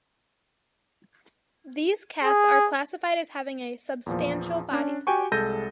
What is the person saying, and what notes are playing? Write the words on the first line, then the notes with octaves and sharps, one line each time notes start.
These cats are classified as having a "substantial" body type.
G#4
E2 A#2 F3
C#4 D4
F#4 G4 G5 G#5 C#6
C2 G#3 A4 G6 A#6 D#7